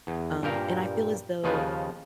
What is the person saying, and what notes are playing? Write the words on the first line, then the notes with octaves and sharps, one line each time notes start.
um, and I feel as though
E2
G2 A#2 G4 A#4 F5
D#2 C#3 F3 D#4 F4 B4